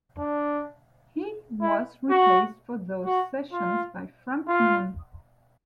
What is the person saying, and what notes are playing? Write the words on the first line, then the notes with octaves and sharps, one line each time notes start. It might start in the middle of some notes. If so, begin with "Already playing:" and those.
He was replaced for those sessions by Frank Noon.
D4
E4
F#4
F#4
F4
F4